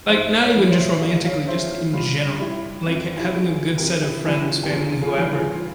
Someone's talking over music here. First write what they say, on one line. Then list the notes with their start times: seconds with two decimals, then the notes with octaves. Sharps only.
Like, not even just romantically, just in general. Like, h having a good set of friends, family, whoever,
0.09 G#2 C5 E5
0.39 A#4 C#5
0.55 E3 G3
0.66 C#5
0.71 C5 E5
1.02 E2 C#5 F5
1.24 C#5 F5
1.47 C#3 F3 C5 E5
1.71 F4
1.93 G2 F4
2.40 G3 E4
2.86 F2 F4
3.13 F4
3.17 E4 G4
3.32 C#3 G3
3.48 F4 G#4
3.78 F2 G4 A#4
4.02 E4 G4
4.25 C3 E3 G3 E4 G4
4.42 G4
4.49 F4
4.63 G4
4.70 E2 F4
5.01 F4 G#4
5.17 E3 G3
5.32 F4 G#4
5.53 F4